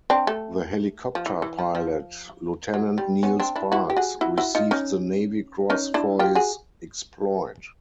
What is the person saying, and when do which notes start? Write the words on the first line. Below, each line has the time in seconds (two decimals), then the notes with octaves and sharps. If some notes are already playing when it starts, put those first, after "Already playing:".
The helicopter pilot, Lieutenant Neil Sparks, received the Navy Cross for his exploit.
0.10 C4 D4
0.27 A3
1.15 F3
1.26 E3
1.42 E3
1.58 F3
1.75 F3
2.74 F#3
2.98 G3
3.23 B3 C#4
3.40 C4 D4
3.56 D4 E4
3.72 E4 F#4
3.90 G4
3.97 F#4 G#4
4.21 E4 F#4
4.38 E4 F#4
4.55 D#4 F4
4.71 C#4 D#4
5.70 C#4 D#4
5.94 D4 E4
6.19 F4 G4
6.35 F#4 G#4